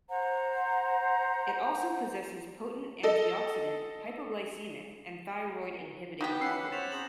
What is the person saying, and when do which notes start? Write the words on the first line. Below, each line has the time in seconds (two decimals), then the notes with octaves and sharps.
It also possesses potent antioxidant, hypoglycemic and thyroid inhibiting properties.
0.09 C5 F#5 A#5
3.03 A4 D#5
6.21 B3 D#4 F#4 G4 D6 G6 B6
6.41 C#4 B4 F#5 E6 C7
6.72 C5 C#5 F#5 A6 E7 F7
6.92 C4 G#4 A#5 F#7